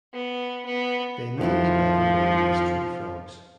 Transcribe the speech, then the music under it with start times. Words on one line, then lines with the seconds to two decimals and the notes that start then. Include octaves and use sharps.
They may be better known as tree frogs.
0.14 B3
0.66 B3
1.41 F2 D#3 F3 E4